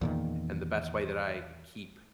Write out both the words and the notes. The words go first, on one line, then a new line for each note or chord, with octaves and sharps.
And the best way that I keep
E2 A#2 D#3